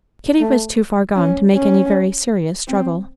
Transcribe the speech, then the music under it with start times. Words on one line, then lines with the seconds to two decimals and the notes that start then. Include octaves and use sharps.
Kitty was too far gone to make any very serious struggle.
0.40 A3
1.16 C#4
1.55 C#4
2.68 C4